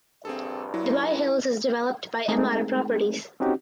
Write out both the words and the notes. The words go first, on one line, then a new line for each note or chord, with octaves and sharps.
Dubai Hills is developed by Emaar Properties.
A#1 G2 C4 G#4 A4
F#3 E4
G#3 A3 C4 D#4 G#4 A#4
C4 C#4 D#4 F#4 G4